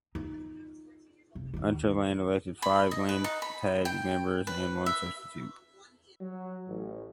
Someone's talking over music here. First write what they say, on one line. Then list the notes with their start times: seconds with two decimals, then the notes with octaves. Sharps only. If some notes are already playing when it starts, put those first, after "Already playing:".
Unterland elected five Landtag members and one substitute.
0.15 D#4 F4
1.35 F1
1.54 D#2 D3
2.62 B5
2.91 D#5
3.09 B4
3.24 D#4
3.42 B5
3.85 G5
4.47 B4
4.86 E5
6.20 F#3
6.67 A1